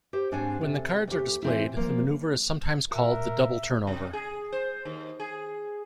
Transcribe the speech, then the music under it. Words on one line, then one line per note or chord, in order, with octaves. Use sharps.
When the cards are displayed, the maneuver is sometimes called the "double turnover".
G4 C5
G#2 C4 D4 C#5 F#5 G#5
C3 A4
D2 G4
E3 C4 E4
F3 A#3
A#2 F#4 A#4 E5
C3
G#4
C5
D#2
G#4